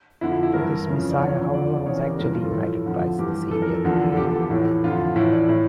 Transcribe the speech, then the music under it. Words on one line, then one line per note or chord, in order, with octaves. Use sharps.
To this Messiah, however, was actually united Christ the Saviour, who redeemed men.
F2 D3 F3 E4
E4
E4
G2 E3 A#4
F2 C#3 E3
D5
E2 C#3 F3 C#5
F2 D3 F3 D5
E2 C#3 E3 C#5
A#4
G4
G2 E3 A#4
F4
A4
A2 F3
F2 D3 F3
G2 E3 G4
F2 E3 A4
A#4
A4
E2 D3 F3
A4
E2 D3 F3 G4
A4
G4
A2 E3
F2 D3 F3 F4
A2 E3 E4
D5
A2